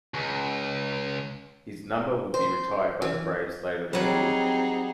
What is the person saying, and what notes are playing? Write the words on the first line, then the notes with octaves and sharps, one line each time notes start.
His number would be retired by the Braves later that year.
C#2
C5
E3
F#3 G3 C4 D#4 G#4